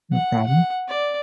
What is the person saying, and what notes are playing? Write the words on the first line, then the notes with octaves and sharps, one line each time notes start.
No problem.
F#5
F#5
D5